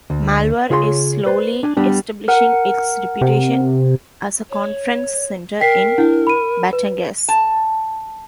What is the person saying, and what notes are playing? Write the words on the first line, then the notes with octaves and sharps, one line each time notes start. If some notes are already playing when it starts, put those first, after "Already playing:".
Malvar is slowly establishing its reputation as a conference center in Batangas.
D2
C#3 F4 G#4 C#5 F#5 C6
B4 C5 D5
D4 G#5
G3 B3 D4
A#4 F#5
C3
C#5
A#4 G5 B6 C7
D4 E4 F#5
B5 D#7
B4
A5